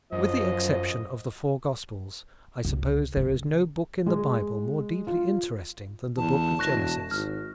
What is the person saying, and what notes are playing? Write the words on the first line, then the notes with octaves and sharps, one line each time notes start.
With the exception of the four gospels, I suppose there is no book in the Bible more deeply interesting than the Book of Genesis.
F#2 F3 D#5
C#2
C#3
G#3
F4
E2 A5
E1 C#6 F#6 A#6
G#1 F6